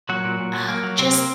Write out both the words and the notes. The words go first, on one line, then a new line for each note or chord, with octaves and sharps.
Oh, just
A#2 F#3 F#4
A#2
A#2
F#3
A#3
F#3
C3 C4
A#3